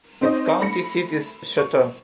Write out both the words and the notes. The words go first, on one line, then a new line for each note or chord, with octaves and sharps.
Its county seat is Choteau.
C4 D#4 C5 C#5 D#5
A3 B5 A#6 C#7
C#6